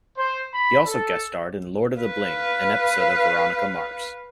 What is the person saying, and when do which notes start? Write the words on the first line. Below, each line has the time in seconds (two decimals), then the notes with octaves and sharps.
He also guest-starred in "Lord of the Bling", an episode of "Veronica Mars".
0.17 C5
0.53 B5
0.86 A4
2.00 B4 F5